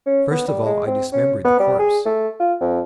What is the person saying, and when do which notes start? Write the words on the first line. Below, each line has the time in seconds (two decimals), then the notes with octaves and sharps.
First of all I dismembered the corpse.
0.06 C#4
0.31 B3
0.48 G3
0.65 G#3
0.87 C4
1.12 C#4
1.45 B3
1.60 G3
1.79 G#4
2.06 A3
2.40 F4
2.60 F2